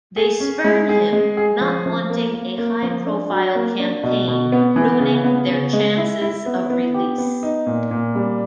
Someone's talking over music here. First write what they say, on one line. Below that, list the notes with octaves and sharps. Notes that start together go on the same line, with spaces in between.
They spurn him, not wanting a high-profile campaign ruining their chances of release.
G#4
C#4
G#3
G#4
G#3
G#4
F3
F3
A#3
A#3
A#3
F3
D4
F#3
A#3
D4
B2
B2
B3
E3
C#3
B3
C#3
G#3
E4
E4
B3
B3
G4
B3
D#4
A#2
A#2
G3